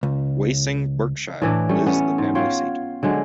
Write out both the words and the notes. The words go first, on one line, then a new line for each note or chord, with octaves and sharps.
Wasing, Berkshire, is the family seat.
C#2
A2 E3 D4
G3 A3 C#4
B3 C#4
G#2
F4 C#5 F5 G5
D3 F#3 G#3